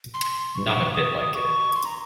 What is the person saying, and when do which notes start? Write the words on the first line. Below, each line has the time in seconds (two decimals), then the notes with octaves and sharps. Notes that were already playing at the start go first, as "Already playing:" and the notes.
Not a bit like it.
0.14 C6
0.55 C#6
0.95 D#6
1.35 C#6
1.76 C6
1.85 A#5